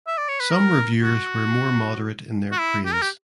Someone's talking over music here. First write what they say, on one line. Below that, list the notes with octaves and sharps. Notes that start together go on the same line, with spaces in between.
Some reviewers were more moderate in their praise.
E5
D5
C#5
B4
A#4
F#4
F#4
E4
G4
A#4
G4